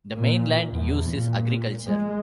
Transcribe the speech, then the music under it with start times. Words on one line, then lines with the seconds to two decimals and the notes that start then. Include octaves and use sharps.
The main land use is agriculture.
0.16 A#2
0.73 E2
1.11 A#2
1.87 G#3